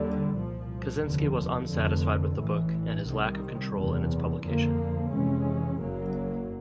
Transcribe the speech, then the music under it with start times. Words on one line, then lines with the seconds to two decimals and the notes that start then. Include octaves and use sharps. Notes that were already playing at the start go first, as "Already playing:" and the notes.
Kaczynski was unsatisfied with the book and his lack of control in its publication.
Already playing: D#2 D3 G3
0.31 C2 A#2 F3
1.00 F1 D#2 D3 F3
1.68 F1 F2 D3
2.37 A1 A2 E3
3.05 C2 C3 D#3 G3
3.73 F#1 E2 C3
4.42 F2 D3 F3 A#3
5.10 F2 C3 E3 G#3 C#4
5.79 F#1 F#2 C#3 F#3 A#3